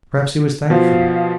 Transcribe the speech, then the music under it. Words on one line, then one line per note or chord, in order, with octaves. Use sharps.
Perhaps he was thankful.
B2 F3 F5